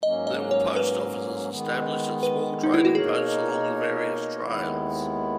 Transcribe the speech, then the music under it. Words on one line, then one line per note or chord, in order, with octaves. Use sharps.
There were post offices established at small trading posts along the various trails.
G#2 F#3 A#3 C#4 D#5
D#5
C#5
B4
D#3 G#3 B3
B4
D#4
E4
F#4
B2 A#3 D#4 G#4 A#4 C#5
D#2 D#3 G#3 B3 E4